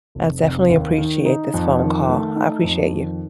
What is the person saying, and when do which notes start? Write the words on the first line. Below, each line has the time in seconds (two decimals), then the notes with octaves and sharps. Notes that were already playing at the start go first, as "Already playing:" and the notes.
I definitely appreciate this phone call, I appreciate you.
0.15 F1
0.43 F1
0.70 D#2
0.98 D#3
1.25 D#4
1.54 F2
1.82 D#3
2.09 A3
2.36 D#4
2.64 F2
2.93 D#3